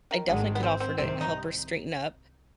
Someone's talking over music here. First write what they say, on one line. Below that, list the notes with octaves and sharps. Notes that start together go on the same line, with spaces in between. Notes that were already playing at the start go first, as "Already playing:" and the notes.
I definitely could offer to help her straighten up.
D#3
G#1 G#2 D3 D#3 G#3
B3
C4
C4
C2 C3 D#3 C4
D#4